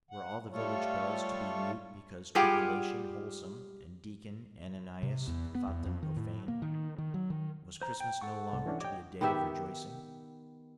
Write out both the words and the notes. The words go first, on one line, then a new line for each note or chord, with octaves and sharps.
Were all the village bells to be mute because Tribulation Wholesome and Deacon Ananias thought them profane? Was Christmas no longer to be a day of rejoicing?
F#5
G3 A3 F4 A4 C#5
G3 F4 G4 G#4 F#5 G5
C3
E2
B3
E2
F2
D#3
A2
A#3
D#3
D#3
F#3
D#3
C5 A#5
G5
A4 F#5 C#6
C2
E3 C#4 D4
G4 C#5 D#5 G5 D6
D#3 B3 G4 E5